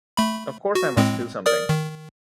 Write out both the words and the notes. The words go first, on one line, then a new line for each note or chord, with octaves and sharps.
Of course I must do something.
A3 B5
F#4
A2 G#3 C4
A#4 D5 D#6
D#3